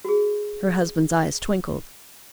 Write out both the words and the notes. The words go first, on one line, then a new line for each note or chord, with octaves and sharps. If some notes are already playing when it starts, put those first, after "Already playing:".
Her husband's eyes twinkled.
F#4 G#4